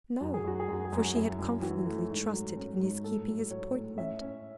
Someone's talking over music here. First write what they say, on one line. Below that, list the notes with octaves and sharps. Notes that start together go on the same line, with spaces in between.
No; for she had confidently trusted in his keeping his appointment.
F#2 F#4
G#4
F#2 F#4
G#4
F#2 F#4
G#4
F#2 F#4
F#2 E4
F#2
E3 F#4
A3
G#2
F#3
C#4
G#2
A2 A4
F#3
F#3 C#5
A2
C#4 E5
C#4